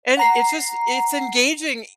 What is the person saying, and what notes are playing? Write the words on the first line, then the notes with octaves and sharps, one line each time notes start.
And it's just it's engaging,
F#5 A#5 C7